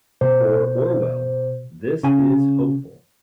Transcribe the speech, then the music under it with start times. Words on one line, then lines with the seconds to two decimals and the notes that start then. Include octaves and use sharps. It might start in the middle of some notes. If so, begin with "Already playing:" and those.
For Orwell, this is hopeful.
0.21 B2 C5
2.03 C#3 G#5